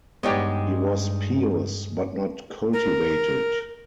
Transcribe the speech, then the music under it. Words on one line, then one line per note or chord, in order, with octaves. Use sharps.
He was pious but not cultivated.
G2 G#3 B3 D#4 G4 C#5 D5
A#4